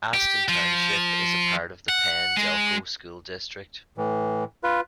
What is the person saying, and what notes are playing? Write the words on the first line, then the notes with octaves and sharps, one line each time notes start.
Aston Township is a part of the Penn-Delco School District.
G4
F3
F#5
G#3
A2 E3
F4 B4